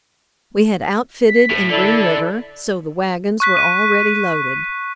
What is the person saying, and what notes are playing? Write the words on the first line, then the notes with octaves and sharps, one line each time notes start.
We had outfitted in Green River, so the wagons were already loaded.
B6
A2
D3 E4 A4 D5
C#6 F#6 B6
D#7